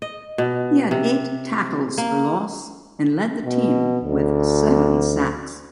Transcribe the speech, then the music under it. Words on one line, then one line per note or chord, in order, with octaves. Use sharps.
He had eight tackles for loss and led the team with seven sacks.
D#5
B2
C3
A#3
B2
D2